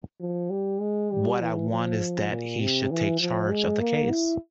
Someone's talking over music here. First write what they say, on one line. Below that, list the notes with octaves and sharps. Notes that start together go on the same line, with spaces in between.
What I want is that he should take charge of the case.
F3
G3
G#3
G3
E3
F3
A#2
C3
E3
F3
G#3
A#3
E4